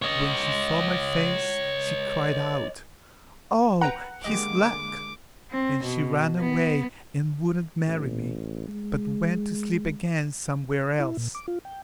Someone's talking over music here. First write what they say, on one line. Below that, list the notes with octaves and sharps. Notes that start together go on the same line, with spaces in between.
But when she saw my face she cried out, 'Oh, he's black!' And she ran away and wouldn't marry me--but went to sleep again somewhere else.
C#5 D#5
B4 F#5 G5 A#5
D3 G#3 A#3 G4 D#5 D6
C4
B2
B3
A1
G#3
E4
A#2
D6
F4
G5